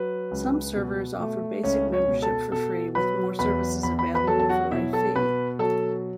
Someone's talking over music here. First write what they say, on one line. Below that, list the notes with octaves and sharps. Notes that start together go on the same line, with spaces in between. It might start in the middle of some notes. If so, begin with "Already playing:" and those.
Some servers offer basic membership for free, with more services available for a fee.
Already playing: F#3 B4
C#2
B2
A3
C#2 C#4 C#5
C#4 C#5
B2
A4 A5
B2 A4 A5
F#3 B4 B5
E2 B4 B5
E2 B5
B5
B4 B5
F#3 A4 A5
A5
F#4 F#5
B2 E4 E5
A4 A5
B2 B4 B5
F#3 A4 A5